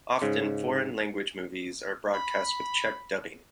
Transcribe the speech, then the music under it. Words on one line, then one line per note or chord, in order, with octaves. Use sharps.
Often, foreign language movies are broadcast with Czech dubbing.
G#2 C#3
B5